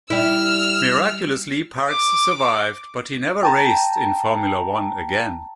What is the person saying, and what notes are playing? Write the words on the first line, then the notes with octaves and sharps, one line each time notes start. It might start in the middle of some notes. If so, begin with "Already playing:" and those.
Miraculously, Parkes survived, but he never raced in Formula One again.
G3 E4 E6 F6
D6
G5 A5 A#5